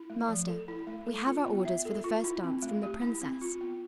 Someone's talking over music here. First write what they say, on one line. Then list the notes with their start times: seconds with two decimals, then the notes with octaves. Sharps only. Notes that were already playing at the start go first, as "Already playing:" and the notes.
"Master, we have our orders for the first dance from the princess."
Already playing: E4
0.10 A3
0.28 F3
0.48 A4
0.68 E4
0.87 A3
1.07 A4
1.26 F4
1.46 B3
1.65 E5
1.85 A4
2.04 F4
2.24 E4
2.43 C4
2.62 A3
2.83 G4
3.02 E4
3.21 C4
3.41 F4
3.61 B3